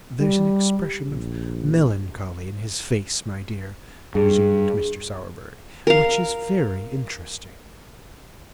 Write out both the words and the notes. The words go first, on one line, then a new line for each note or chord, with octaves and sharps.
'There's an expression of melancholy in his face, my dear,' resumed Mr. Sowerberry, 'which is very interesting.
G3
A#1
G2 G#4
A#4 F5